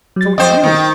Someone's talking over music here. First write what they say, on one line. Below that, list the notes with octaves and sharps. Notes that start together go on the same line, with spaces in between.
"So it's you!"
F#3 A6
F2 C5 D#5 G5
D#3